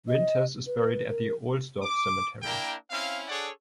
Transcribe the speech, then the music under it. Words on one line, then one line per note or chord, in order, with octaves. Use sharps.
Winters is buried at the Ohlsdorf Cemetery.
D#5
B4
A#4
D6
A#3 D4 E4 A#4 G5
C4 C#4 E4 F5
D4 G#4 A4 C#5 D5 F#5